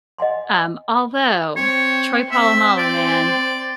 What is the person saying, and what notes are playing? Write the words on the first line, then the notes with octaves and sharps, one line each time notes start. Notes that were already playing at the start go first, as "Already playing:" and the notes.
um, although Troy Polamalu, man,
D#5 F#5 G#5 C6
C4 C#5
C4 E5 C6
D5